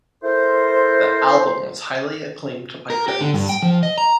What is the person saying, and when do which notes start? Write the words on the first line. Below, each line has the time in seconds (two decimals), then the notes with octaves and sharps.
The album was highly acclaimed by critics.
0.24 E4 A4 A#4 C5
2.90 A#4
3.08 G4
3.21 D3
3.34 G2
3.49 G5
3.62 F3
3.83 D#5
3.98 A#5